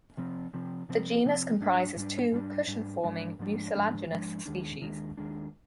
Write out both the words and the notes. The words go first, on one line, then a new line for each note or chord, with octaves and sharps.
The genus comprises two cushion-forming, mucilaginous species.
C3 F3 C4
C3 F3 C4
C3 F3 C4
C3 F3 C4
G#2 G3 D4
G#2 G3 D4
G#2 G3 D4
G#2 G3 D4
G#2 F3 G#3 D4
G#2 F3 G#3 D4
G#2 F3 G#3 D4
G#2 F3 G#3 D4
D#2 D#3 G#3 D4
D#2 D#3 G#3 D4
D#2 D#3 G#3 D4